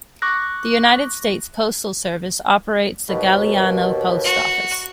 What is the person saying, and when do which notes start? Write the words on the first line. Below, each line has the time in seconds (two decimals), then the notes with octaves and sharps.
The United States Postal Service operates the Galliano Post Office.
0.22 C#6 D6 F#6 A#6
3.09 D#2 B2
4.24 F#4